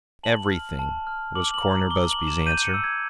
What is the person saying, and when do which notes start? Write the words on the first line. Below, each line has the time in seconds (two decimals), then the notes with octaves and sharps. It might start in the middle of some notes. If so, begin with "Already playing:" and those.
"Everything," was Coroner Busby's answer.
0.24 A5 F#7
0.51 F6
0.79 A5
1.07 F6
1.35 D6 F#7
1.54 F#7
1.63 A#5
1.72 F#7
1.90 D6 G7
2.09 F#7
2.19 D6
2.27 E7
2.46 G6 D#7
2.64 C#7
2.74 E6
2.84 G#6